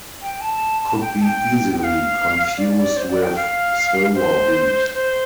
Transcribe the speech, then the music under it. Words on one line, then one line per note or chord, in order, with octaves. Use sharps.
Could be easily confused with silverweed.
G5
A5
G5
A5
G5
G5
F5
D5
D5
C5
D5
G5
F5
C5
C5